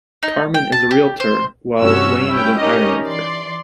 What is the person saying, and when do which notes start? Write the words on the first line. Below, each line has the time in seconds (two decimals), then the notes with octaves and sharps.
Carmen is a realtor while Wayne is an ironworker.
0.23 D#4
0.54 G5
0.72 A5
0.91 G4
1.20 C5
1.80 G2 C3 C#4 F#4 C#5 E6
2.29 C#4 E4 G5
2.60 C#4 D#4 G4 A#4 D#5
3.06 E3 D5 C6